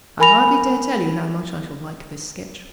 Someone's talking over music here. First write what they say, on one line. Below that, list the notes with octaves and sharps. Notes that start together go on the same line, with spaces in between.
I hardly dare tell you how much I shall like this sketch.'
A#4 G#5 B5 A#6 F7